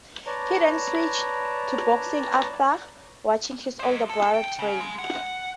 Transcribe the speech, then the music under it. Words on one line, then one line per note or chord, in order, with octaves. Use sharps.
He then switched to boxing after watching his older brother train.
B4 C#5 D5 A5 A#5
C5 D#5
A4
G5
C#3
G#3
F#5